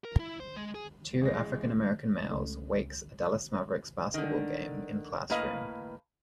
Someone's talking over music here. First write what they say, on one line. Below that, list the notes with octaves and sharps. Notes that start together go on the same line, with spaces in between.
Two AfricanAmerican males wakes a Dallas Mavericks basketball game in classroom.
A#4
E4
C5
G#3
G#4
A1 G#3 A#6
C#2 A3 C#4
D3 D#3
A2 A#3 B4 D#5 F5